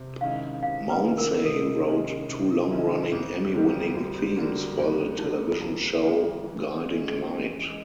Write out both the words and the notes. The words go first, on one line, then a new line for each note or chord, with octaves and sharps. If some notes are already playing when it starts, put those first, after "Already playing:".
Mounsey wrote two long-running Emmy-winning themes for the television show "Guiding Light".
Already playing: C3
D#3 G#3 C#4 E4 F5
C3 F5
B4
D#3 G#3 C#4 E4
A#4
C3 A4
D#3 G#3 C#4 E4
C3
D#3 G#3 C#4 E4
F2 G#4
D3 G3 A#3
F2 F#4
D3 G3 A#3 F#4
F2 F4
D3 G3 A#3 E4
F2 E4
D3 G3 A#3
E3
G#3 C#4
E3
G#3